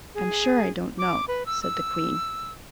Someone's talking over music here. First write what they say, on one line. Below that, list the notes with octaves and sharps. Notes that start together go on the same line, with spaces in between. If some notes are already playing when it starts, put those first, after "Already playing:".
"I'm sure I don't know," said the queen.
G#4
D6
B4
E6
E6